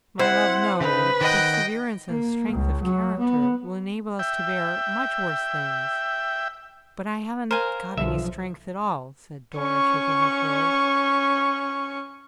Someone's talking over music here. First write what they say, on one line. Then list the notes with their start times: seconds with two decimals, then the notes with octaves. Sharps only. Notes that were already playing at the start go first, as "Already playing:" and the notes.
'My love, no. Perseverance and strength of character will enable us to bear much worse things.' 'But I haven't got any strength at all,' said Dora, shaking her curls.
0.19 C4 E4 C5 F#5
0.80 C#3 D#4 B4
1.21 D#3 D#5 F#5 G5
2.09 A#3
2.53 C#2
2.84 F#3
3.19 B3
4.19 E5 G5
7.51 A#4 C5 F5 G#5
7.98 B1 D3 F3 E5
9.58 C#4 C#6